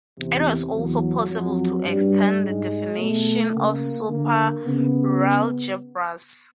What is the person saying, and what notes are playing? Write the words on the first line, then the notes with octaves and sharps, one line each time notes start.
It is also possible to extend the definition to superalgebras.
E2 C3
E2 F#3
F2 F#3
G2 G3
G#2 G#3
B2 A3
C#3 A#3
D3 A#3
C#3 B3